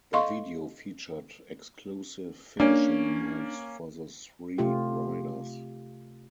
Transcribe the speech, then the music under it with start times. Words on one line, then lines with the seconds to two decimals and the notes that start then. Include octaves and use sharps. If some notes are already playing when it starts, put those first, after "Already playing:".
The video featured exclusive finishing moves for the three Riders.
0.13 A4 D#5 F5 C6 C#6
2.60 A#3 C#4 D4
4.58 C3 A3 F4 G4